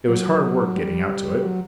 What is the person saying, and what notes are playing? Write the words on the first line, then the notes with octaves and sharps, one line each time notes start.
It was hard work getting out to it!
F#3
G3
F#3